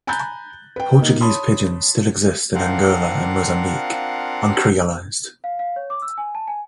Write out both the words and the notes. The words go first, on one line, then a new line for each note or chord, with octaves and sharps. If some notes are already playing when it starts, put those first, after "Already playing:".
Portuguese pidgins still exist in Angola and Mozambique, uncreolized.
G#5 A#5 B5 F#6 G6 A6
B4 G5
B2 A#3 D#4
C#5 A5 B5 C6 D#6
C4 D4 F4 A#4 F5 F#5
F5
F5
C#5
D6
E6
G#5
A5
G#5